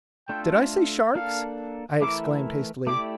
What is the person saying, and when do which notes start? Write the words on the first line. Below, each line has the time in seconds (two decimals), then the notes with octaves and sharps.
"Did I say sharks?" I exclaimed hastily.
0.28 A3 D4 F4 A4 E5 G5
1.15 A#3 D4 A4 F5
2.01 E3 A3 E4 A#4 E5 D6
2.87 A3 E4 G4 D5 D6